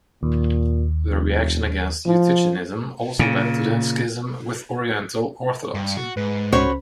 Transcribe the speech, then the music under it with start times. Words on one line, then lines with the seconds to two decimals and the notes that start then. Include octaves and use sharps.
The reaction against Eutychianism also led to the schism with Oriental Orthodoxy.
0.23 D#2 A#2
1.09 F1
2.06 F3
3.19 A#2 C#3
5.74 G2
5.97 F#4
6.17 G#2 B4
6.52 C#2 C#4 F#4 C5 C#5 B5